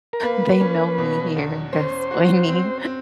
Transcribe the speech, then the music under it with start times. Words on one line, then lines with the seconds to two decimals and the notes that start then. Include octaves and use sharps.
They know me here, that's funny.
0.13 A#4
0.23 A#3 B4
0.61 C#4
0.98 B2
1.36 E2
1.73 C#4 C5
2.11 F#4
2.48 C4
2.86 C4